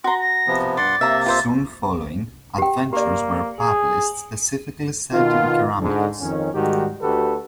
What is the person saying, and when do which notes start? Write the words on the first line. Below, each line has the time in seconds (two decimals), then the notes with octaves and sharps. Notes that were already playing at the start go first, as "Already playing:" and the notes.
Soon following, adventures were published specifically set in Karameikos.
0.04 F#4 A#5 C6
0.20 A#6
0.47 C3 F3 B3
0.77 G2 D5 F#5 C6 A6
1.01 C3 A#3 E5 A#5
1.26 F4 C5 E5
2.58 G4 G5
2.93 A#3 G4 D5
3.59 G#4
5.12 B2 D#3 F4
5.80 G#2 D3
6.20 F2 D#3 C#4
6.54 G#2 D#3 G3 G#3 F#4 G4
7.02 D2 D3 F#4 G4 A4 B4